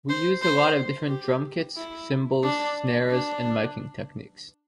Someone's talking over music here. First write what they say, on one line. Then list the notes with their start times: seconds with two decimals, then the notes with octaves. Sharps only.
We used a lot of different drum kits, cymbals, snares, and miking techniques.
0.09 C5
0.42 C5
1.09 G4
1.77 E4
2.44 D4
3.11 D4